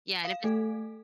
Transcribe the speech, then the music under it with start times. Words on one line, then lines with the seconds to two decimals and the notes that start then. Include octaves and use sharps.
Yeah, and if it's
0.25 F5
0.44 A3 A4